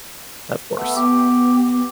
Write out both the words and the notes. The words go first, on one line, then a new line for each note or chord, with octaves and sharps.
Of course.
A3 B3
B3 G4